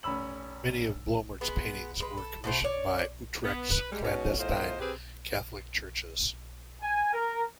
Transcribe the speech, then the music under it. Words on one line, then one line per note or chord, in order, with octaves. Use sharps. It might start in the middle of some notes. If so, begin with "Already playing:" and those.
Many of Bloemaert's paintings were commissioned by Utrecht's clandestine Catholic churches.
F1 C#4 B5 E6 F#7
G#3 B3
G#3 B4
A4
B2 A3 C5
C#5 D5
B3
B4
G3 G#3
G#2 B2 C#4 C#5
E2 A2 F4 C5 D#5
C4 G4 G#4 B4 C5
G#5
A#4